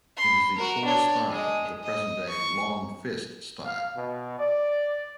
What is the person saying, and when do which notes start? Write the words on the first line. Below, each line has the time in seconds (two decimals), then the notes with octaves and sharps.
It is the core style of the present-day Long Fist style.
0.17 B5 C6
0.55 F#4 A#4
0.85 D4 C#5
1.30 G#3 D#5
1.83 D#5
2.29 C#6
3.65 F5
3.96 B2
4.39 D5